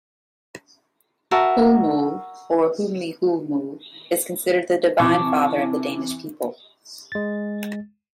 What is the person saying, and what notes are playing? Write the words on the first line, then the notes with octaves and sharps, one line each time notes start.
"Hulmul" or Humli-Hulmul, is considered the divine father of the Danish people.
F#4 A#4 E5 A5
C3 E3 A5 C#6 D6
G#3 A6